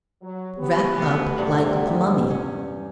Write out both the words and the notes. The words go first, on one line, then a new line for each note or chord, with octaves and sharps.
Wrap up like a mummy.
F#3
B3 G4
D2 C3
E2 G2 C3 F#5
C#4